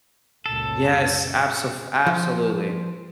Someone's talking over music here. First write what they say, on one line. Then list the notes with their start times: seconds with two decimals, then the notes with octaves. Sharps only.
Yes, abso f absolutely.
0.46 C#2 F#2 A#2 A4
2.06 F3